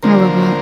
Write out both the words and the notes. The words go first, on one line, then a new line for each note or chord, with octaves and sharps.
I love that.
D3 F3 A#3 A#4 C5